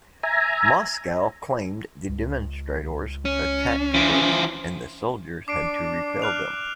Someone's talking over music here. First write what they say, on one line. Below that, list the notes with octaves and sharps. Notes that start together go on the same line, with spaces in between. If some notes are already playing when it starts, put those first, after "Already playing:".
Moscow claimed the demonstrators attacked first and the soldiers had to repel them.
E5 G#5 A#5
C#2
C#4
E3 F3
D4 D6 C7 D7
F6 F#6 F7